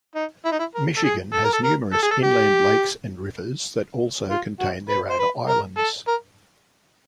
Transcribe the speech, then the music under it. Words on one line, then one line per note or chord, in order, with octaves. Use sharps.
Michigan has numerous inland lakes and rivers that also contain their own islands.
D#4
E4
D#4
E4
A#4
A4
G#4
A4
A#4
A4
A#4
A4
G#4
A4
G4
F4
F#4
B4
C5
B4
A#4
A4
A#4